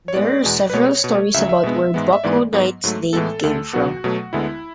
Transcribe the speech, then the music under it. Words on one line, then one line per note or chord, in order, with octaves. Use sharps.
There are several stories about where Buck-O-Nine's name came from.
C#5
A2 G#3 B3 D5
E2 B2 G#3
B4
B2 G#3 B3 C#5
B2
A3
C#2 C#3 F#3 E5
E5
B2 G#3 B3
G#2 G#3 B3
E5
G#2 E3 G#3 B3 D5
G#2 F#3 B3
G#2 F#3 A3
A2 E3 G#3 B3 A4
D2 D3 A3
C#2 B2 F#3 B3 F#4
B2 F#3 A3
D2 D3 G#3 B3 E4